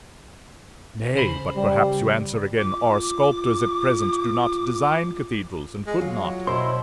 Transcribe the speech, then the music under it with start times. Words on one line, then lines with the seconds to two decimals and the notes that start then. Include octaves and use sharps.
Nay, but perhaps you answer again, our sculptors at present do not design cathedrals, and could not.
1.15 C#3 C5 B5
1.56 G3
2.57 F4 D6
5.87 G#3
6.01 F#3 F4
6.47 B2 E4 C5 C6